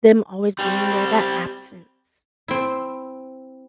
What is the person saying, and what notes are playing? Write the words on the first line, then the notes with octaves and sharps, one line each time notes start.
them always being there, that absence
G3 C4
C4 E4